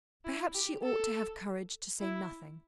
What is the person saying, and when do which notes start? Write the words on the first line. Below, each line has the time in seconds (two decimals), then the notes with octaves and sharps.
Perhaps she ought to have courage to say nothing.
0.24 E4
0.54 G4
0.83 A4
2.00 E4